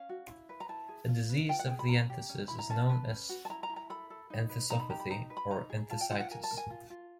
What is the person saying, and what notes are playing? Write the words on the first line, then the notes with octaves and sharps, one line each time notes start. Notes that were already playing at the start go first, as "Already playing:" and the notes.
A disease of the entheses is known as an "enthesopathy" or "enthesitis".
Already playing: C#4 F5
F#4
E4
B4
A#5
E4 A5
G#4
F4
B4
F4 G5
F#5
G#4 G5
B5
C#4 A#5
G4
C#4
E4 B5
A#5
C#4 A5
B4
C#4
F#4
A5
E4 A#5
A#5
E4
A#5
A4 B5
A4
D#4
B4
D#4 A#5
B5
G4 A#5
B5
D#4 A#5
B4
B5
D#4 A#5
G#4
F4 A5
G5
F4 F#5
F#5
A#4 G#5
A5
A#4
G#5
F4
F4